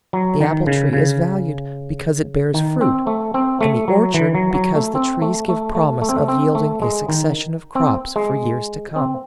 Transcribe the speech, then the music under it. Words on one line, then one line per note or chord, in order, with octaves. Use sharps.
The apple-tree is valued because it bears fruit, and the orchard because the trees give promise of yielding a succession of crops for years to come.
F#3
D#3
C#3
C#3
D#3
C4
A3
C4
A3
F#3
E3
F#3
F#3
A3
C4
A3
A3
A3
A3
C4
A3
C4
A3
G#3
D#3
C4
G#3
C4